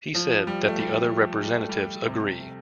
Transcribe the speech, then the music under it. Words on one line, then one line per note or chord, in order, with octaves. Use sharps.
He said that the other representatives agreed.
F3
G3
A3
G3
G3
A3
G3
C3